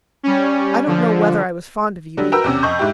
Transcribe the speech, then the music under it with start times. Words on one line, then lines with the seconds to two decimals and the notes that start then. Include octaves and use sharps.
I don't know whether I was fond of you even.
0.23 G3 C#4
0.87 D3 F3
2.17 D3 F#3 G3
2.32 F#4 A#4 B4 G5 A#5 E6
2.44 E2 C3 C#4
2.63 F2 D#5 C#6 G6
2.79 G#2 E4 G4